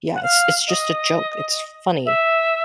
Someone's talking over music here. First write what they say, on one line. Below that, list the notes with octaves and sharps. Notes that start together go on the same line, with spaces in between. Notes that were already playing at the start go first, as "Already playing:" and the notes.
Yeah, it's it's just a joke; it's funny,
F#5
F5
D#5
E5